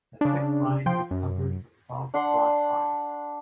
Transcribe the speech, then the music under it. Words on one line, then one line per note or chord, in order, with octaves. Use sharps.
The thick rind is covered with soft, broad spines.
C#3 D4
F3 G5 C6
F#2
D4 F#5 C6